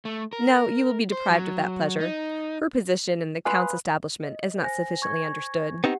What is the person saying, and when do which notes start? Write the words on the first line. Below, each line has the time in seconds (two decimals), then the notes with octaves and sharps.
"No, you will be deprived of that pleasure; her position in the count's establishment is not sufficiently understood."
0.05 A3
0.33 A#4
1.12 C5
1.30 F#3
2.00 D#4
3.45 B4 F5 G#5 C6 D#6
4.23 D#5
4.61 C5 G#5 A#6
5.02 C#6 G#6
5.84 B3 C4 D#4 G4 F#5